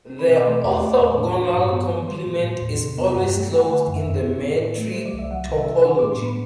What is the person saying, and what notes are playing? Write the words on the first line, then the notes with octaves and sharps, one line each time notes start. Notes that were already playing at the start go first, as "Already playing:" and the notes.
The orthogonal complement is always closed in the metric topology.
C4
B5
B2
D6
A3 C6
E2 D6
C6
A3 D6
A2 D6
D4
A2
G2
B3
B3
G3 C6
A2
A2
E2
C3
B3
G2 F#5
G5
A3
G5
A3 F#5
D3 F#5
F#2
E5
F#2
E4
A2
E4
A3
F#3 C5
D5
C2
E5
F#3 F#5
C3
E5
F#3
D4 F#5
A2 D6
C6
B3 B5